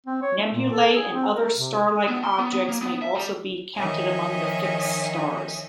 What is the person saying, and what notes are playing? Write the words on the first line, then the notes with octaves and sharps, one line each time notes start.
Nebulae and other star-like objects may also be counted among the fixed stars.
C4
C#5
A3
A#2
A4
G#4
C4
A#4
C3
B3
C6
B3
B3
A#3
B3
E5
G3
D#3 F3 C#5 D#5 E5 G#5